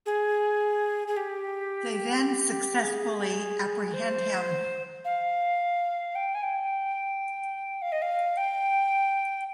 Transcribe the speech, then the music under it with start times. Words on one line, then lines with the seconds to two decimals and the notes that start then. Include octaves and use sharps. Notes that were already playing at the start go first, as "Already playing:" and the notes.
They then successfully apprehend him.
0.06 G#4
1.08 G#4
1.17 G4
2.83 G#4
3.94 C5
5.05 F5
6.15 G5
6.35 G#5
6.43 G5
7.82 F5
7.92 D#5
8.02 F5
8.37 G5